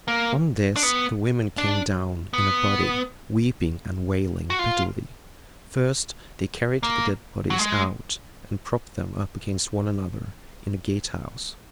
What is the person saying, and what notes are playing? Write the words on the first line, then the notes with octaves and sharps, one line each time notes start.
On this the women came down in a body, weeping and wailing bitterly. First they carried the dead bodies out, and propped them up against one another in the gatehouse.
A#3
D4
B3
D4
B3
F#4
F4
A#3
F#3
G#3